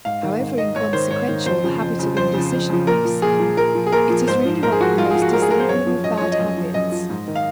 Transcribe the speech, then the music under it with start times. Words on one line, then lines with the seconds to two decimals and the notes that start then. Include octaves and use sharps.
However inconsequential the habit of indecision may seem, it is really one of the most disabling of bad habits.
0.05 G#2 F5
0.23 D#3
0.40 G#2
0.58 D#3 D#5
0.76 G#2 C#5
0.93 D#3 C5
1.10 G#2 C#5
1.29 D#3
1.46 F2 C5
1.64 C#3 F3
1.81 F2
1.99 C#3 F3
2.17 F2 C5
2.34 C#3 F3
2.52 F2
2.69 C#3 F3
2.87 A#2 A#4
3.05 F3
3.22 A#2 G#4
3.40 F3
3.57 A#2 A#4
3.75 F3
3.87 G#4
3.92 A#2 A#4
4.10 F3
4.28 G#2 C5
4.45 F3
4.63 G#2 A#4
4.72 G#4
4.80 F3 F#4
4.98 G#2 F4
5.11 F3 G#4
5.22 F#4
5.33 G#2 A#4
5.42 G#4
5.51 F3 A#4
5.60 C5
5.69 F#2 C#5
5.86 F3
6.04 F#2 D#5
6.17 F3 C#5
6.32 D#5
6.39 F#2
6.57 F3
6.74 F#2 D#5
6.92 F3
7.10 G#2
7.28 D#3
7.35 F5